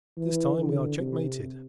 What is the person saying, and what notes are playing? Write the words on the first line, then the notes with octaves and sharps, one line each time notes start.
"This time we are checkmated."
E3
D3
C3